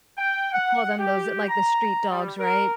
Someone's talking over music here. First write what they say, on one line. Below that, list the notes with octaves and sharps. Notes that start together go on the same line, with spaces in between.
I call them those, eh, like, the street dogs, right?
G5
F#5
G4
A#5
G3
A#4